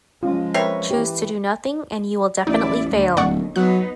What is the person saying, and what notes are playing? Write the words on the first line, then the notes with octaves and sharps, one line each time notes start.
Choose to do nothing and you will definitely fail.
F3 G#3 C#4 F4
C4 A#4 B4 C#5 E5
E3 G4
A1 D#4 E4 D5
D2 G3
D1 D#2 D5 F#5 C#6
F#3 B3 D#4 B4 F#6